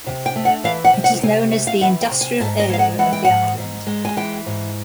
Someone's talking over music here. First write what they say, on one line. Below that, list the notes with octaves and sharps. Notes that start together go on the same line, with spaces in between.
It is known as the industrial area of the island.
C3
G5
A3
F#5
E3 F5
F#5
C3
F#5
C3 G#5
A3
F5
E3 F#5
G5
C3
G#5
G#2 A5
D#5
G#3 F5
F#5
E3 F#5
G5
G#2 F#5
G#2
G#3
G#5
E3 G5
G#2